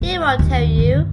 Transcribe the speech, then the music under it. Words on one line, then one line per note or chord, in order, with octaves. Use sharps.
He won't tell you.
G#2
D#2
G2 D3